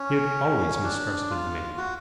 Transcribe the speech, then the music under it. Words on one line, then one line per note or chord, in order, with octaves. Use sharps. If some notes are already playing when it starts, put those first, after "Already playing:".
She had always mistrusted the man.
Already playing: C#4
D4
F4
F#4